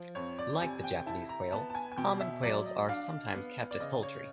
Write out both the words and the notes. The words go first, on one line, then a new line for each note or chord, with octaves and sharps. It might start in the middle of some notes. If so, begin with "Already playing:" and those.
Like the Japanese quail, common quails are sometimes kept as poultry.
Already playing: F3
F2 C#5
D5
C3 G#5
G5
E4 A5
A#5
B3 A5
A5
G#5
G#5
B2 G5
E5
F#3 D5
D#5
D4 F5
B3
D5
C#3 D#5
C#5